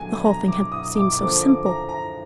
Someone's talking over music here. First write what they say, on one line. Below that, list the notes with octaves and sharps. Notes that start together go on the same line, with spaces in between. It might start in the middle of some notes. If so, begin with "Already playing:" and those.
The whole thing had seemed so simple.
Already playing: D3 F#3 B3 G#5
A#5
D6
D#6
D6
D3 F3 A#3 D6
D6
A#5
A#5